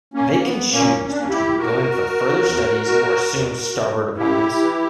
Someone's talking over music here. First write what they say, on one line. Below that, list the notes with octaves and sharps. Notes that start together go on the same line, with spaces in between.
They can choose between going for further studies or assume starboard appointments.
A#3 C#4
E3
B3
A#2 A#3 C#4
C#4
D4
A#3 C#4
E4 G4
A#2 F#4 A#4
E2
B2
E2
B2
F#2 E4 G4
E3